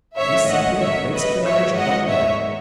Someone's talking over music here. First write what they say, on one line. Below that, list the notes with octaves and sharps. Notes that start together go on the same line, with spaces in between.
He simply breaks up the marriage right there.
A1 G#2 D#3 A3 C#4 C#5 E5
D#5 F#5
C#5 E5
B4 D#5
A1 G#2 D#3 G#3 B3 C#5 E5
D#5 F#5
C#5 E5